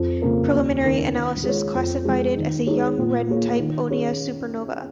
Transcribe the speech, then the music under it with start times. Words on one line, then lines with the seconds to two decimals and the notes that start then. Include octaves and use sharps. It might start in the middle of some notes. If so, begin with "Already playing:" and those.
Preliminary analysis classified it as "a young, reddened type onea supernova".
Already playing: F2
0.22 C#3 A#3 F4 A#4
0.53 D#2
0.83 D#3 C#4 A#4 C#5
1.14 D#3
1.44 G#3 F4 C#5
1.75 F2
2.05 F3 G#3
2.37 D#3
2.67 G#3 D#4 G#4 C#5
2.97 A#2
3.29 A#3 F4 G#4 C#5
3.59 D#3
3.90 C#4 G#4 C#5